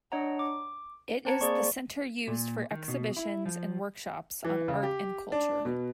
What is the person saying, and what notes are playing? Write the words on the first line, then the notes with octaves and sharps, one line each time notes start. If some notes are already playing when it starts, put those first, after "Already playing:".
It is the center used for exhibitions and workshops on art and culture.
D4 C#5 D#5 F#5 A#5
D6
C4 C5 A5 A#5 G#6 C#7
A#3 G#4 C5 D5 C#6
A#2
D#3
B2
E4
F3
E3
C#3
G4
D4
B2